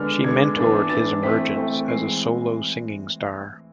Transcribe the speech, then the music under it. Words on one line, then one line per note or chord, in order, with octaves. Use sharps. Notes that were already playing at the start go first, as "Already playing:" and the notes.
She mentored his emergence as a solo singing star.
Already playing: D3 G#3 B3 D4 F6
D3 G#3 B3 D4 G#6
E3 B3 D4
E3 B3 D4 A6
E3 A3 C4 B6
E3 A3 C4
E3 G#3 C4 C7